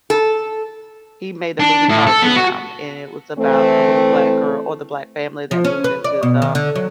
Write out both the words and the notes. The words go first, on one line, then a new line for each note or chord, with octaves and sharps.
He made a movie called Them, and it was about the little Black girl or the Black family that moved into the
A4
D4
A2
A4
B3
F#4
E3 A3 C4
F3
C#4
B4
D5
B2
D#3
D3
F#3